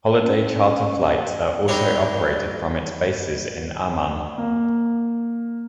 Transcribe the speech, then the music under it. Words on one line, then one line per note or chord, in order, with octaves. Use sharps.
Holiday Charter Flights are also operated from its bases in Amman.
C#4
G3 C4 D4 D#4 A#4 C#5
A#3